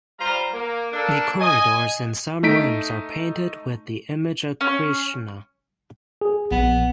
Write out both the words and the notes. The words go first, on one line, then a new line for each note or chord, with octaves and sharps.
The corridors and some rooms are painted with the image of Krishna.
G3 F4 C5 F5 A#5
A#3
A#3 D4 A4
D#5 G#5
A3 D#4 B6 D7
C#4
G#4
A#1 B3